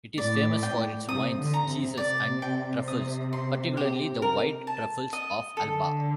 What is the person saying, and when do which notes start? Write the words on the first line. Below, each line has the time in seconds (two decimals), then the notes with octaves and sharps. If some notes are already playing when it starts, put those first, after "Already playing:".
It is famous for its wines, cheeses, and truffles-particularly the white truffles of Alba.
0.18 A2 D5
0.63 G5
1.07 C3 D#6
1.38 D3
1.53 A#5
1.68 C3
1.97 C3 D5
2.42 G5
2.88 D#6
3.33 C6
3.77 G4
4.22 A#4
4.67 A5
5.13 D#5
5.57 D3 A4